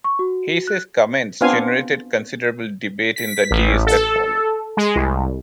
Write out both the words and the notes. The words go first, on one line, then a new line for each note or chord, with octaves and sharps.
Hayes's comments generated considerable debate in the days that followed.
C#6
F#4
F#6
B3 C4 D4 F4 F5 G#5
B6
A1
A4
G#3
C2